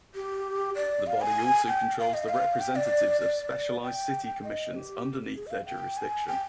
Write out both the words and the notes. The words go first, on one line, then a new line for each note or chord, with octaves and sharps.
The body also controls the representatives of specialized city commissions underneath their jurisdiction.
G4
D5
F5
G#5
G5
F5
D#5
F5
G5
D5
D5
G5
D#5
G4
G#4
D#5
F5
G5
G#5
G5